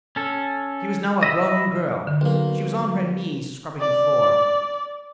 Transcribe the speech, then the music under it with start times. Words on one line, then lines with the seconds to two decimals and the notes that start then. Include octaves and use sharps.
She was now a grown girl; she was on her knees scrubbing the floor.
0.16 C#4 A4
1.23 D#5 E5 B5
2.07 D3
2.21 B1 A#3
3.80 D5